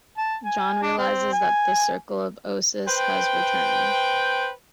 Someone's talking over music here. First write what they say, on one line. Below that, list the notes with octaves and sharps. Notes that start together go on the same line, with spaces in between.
John realizes that the Circle of Ossus has returned.
A5
G#5
D4
C4
G#5
B4 C5 G5